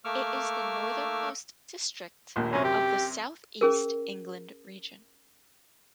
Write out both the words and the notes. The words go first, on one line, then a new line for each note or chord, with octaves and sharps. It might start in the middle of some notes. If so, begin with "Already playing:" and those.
It is the northernmost district of the South East England Region.
A3 A#3 C#6 D6 E6 F6
A#1 D#2 A#2
F#2 C3 C#4
G4
C#4 G#4 A#4